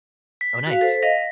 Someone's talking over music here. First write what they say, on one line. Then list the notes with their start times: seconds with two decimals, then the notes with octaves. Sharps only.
Oh, nice.
0.41 B6
0.67 F#4 F5
0.81 A4 C5
1.03 D#5 F5 A#6